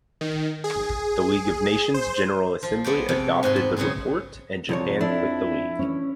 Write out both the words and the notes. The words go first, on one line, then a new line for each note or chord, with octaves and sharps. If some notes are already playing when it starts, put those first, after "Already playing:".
The League of Nations General Assembly adopted the report, and Japan quit the League.
D#3
G#4
C5
F3 F4
G#3 B3 D5 G5
F2 C3 D5 G5
G#2 C3 B4 C6
B3
C#3 F#3 B3 C4 G#4
C2 F2 F3 C#5
F2 D4 E4 A4 D#5
E3 C#4